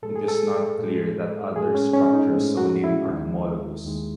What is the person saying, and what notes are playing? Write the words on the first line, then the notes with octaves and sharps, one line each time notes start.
It is not clear that other structures so named are homologous.
A2 G#3 A4
G#4
A4
A2 G#3
A2 G#3 G#4
C#4
C#4
D#4
A2 G#3 C4
F#4
E4
D#2 D#3 G#3
D#2 D#3 G#3